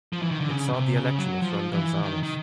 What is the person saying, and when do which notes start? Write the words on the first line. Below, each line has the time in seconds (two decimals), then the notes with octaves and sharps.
It saw the election of Ron Gonzales.
0.13 F3
0.22 E3
0.31 D#3
0.41 D3
0.50 C#3
0.73 C3
0.96 C#3
1.19 F#3
1.42 F3
1.72 E3
2.03 D#3
2.23 D#3